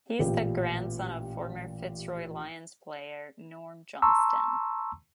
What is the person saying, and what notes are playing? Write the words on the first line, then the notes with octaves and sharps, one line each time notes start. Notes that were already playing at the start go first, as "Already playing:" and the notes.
He is the grandson of former Fitzroy Lions player, Norm Johnstone.
A1 A#2 G4
A5 A#5 C6 C#6 E6